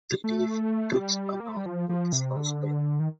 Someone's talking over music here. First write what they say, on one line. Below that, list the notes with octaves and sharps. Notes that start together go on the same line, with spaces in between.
The leaf drifts along with a slow spin.
A3
G3
A#3
A3
G3
F3
F3
C3
D3
D#3